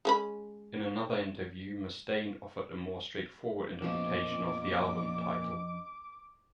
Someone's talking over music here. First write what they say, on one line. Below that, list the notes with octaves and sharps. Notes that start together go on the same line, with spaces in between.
In another interview, Mustaine offered a more straightforward interpretation of the album title.
G#3 C#4 B5
F2 A#2 F3 B3 C#4 D#5 D6